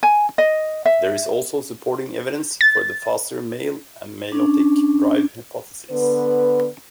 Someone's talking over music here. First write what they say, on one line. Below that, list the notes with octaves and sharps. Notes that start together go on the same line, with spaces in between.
There is also supporting evidence for the faster male and meiotic drive hypotheses.
G#5
D#5
E5
A6
C#4 D4
D3 B3 B4